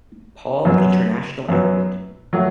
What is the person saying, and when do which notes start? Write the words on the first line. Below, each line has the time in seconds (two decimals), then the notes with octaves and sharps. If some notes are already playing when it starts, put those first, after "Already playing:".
Paul International Airport.
0.65 F#2 F#3 B3
1.49 F#2 F#3 B3
2.33 F#3 A3 F#4